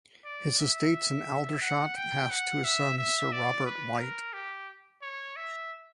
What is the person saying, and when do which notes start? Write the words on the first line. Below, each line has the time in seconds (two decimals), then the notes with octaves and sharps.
His estates in Aldershot passed to his son Sir Robert White.
0.25 D5
0.60 E5
1.62 F#5
1.96 G5
2.30 F#5
2.64 E5
2.98 E5
3.32 D5
3.66 B4
3.99 A#4
4.33 G4
5.02 C#5
5.36 E5